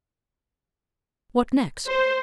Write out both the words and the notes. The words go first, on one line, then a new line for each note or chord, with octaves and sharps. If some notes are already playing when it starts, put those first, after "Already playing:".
What next?
C5